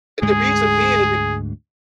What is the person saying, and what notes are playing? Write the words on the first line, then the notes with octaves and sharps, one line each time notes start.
and the reason being it b
D2 G#2 G#3 G#4